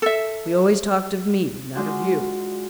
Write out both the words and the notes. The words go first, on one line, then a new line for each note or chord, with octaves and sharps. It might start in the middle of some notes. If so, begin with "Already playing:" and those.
We always talked of me, not of you.
A4 E5
G#3 D4 F4 F#4